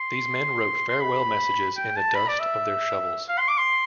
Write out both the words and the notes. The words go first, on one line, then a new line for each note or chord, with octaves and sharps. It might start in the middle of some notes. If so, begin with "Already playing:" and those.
These men wrote farewell messages in the dust of their shovels.
Already playing: C6
C6
B5
G5
A5
B5
D5
E5
F5
C6
D6
C6